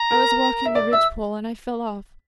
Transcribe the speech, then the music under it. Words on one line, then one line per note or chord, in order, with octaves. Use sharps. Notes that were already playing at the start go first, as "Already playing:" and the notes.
I was walking the ridgepole and I fell off.
Already playing: A#5
A#4
E5
D5
E5 E6